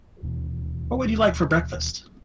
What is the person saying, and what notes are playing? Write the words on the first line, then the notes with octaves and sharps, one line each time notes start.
What would you like for breakfast?
D1 D#2 B2 E3